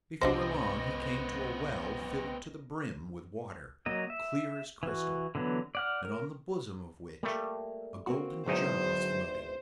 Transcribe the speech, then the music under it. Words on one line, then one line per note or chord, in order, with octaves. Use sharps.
Before long he came to a well filled to the brim with water clear as crystal, and on the bosom of which a golden jug was floating.
C2 B3 C4 D4 G4 C5 D#5 A#6
F#3 A#3 D#5
E5
E3 F#4
D3 E3 F#3 B3
D5 F#5 F6
A#4
G3 A3 A#3
A#3 C4 F#4
G#1 E2 D3 F#3 D#4 G#4 C5